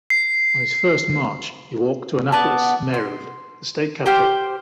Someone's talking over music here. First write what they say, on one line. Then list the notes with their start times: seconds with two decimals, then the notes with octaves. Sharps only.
On his first march he walked to Annapolis, Maryland, the state capital.
0.10 C7
2.32 B3 D5 A5
2.94 C6
4.06 G4 C5 G5 F6